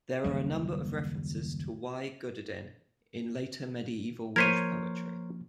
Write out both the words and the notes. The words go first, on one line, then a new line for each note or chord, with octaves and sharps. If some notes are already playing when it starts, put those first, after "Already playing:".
There are a number of references to "Y Gododdin" in later Medieval Welsh poetry.
F#1 D#2 G3
F3 A#3 A#4 C5 C#5 G#6 B6 D#7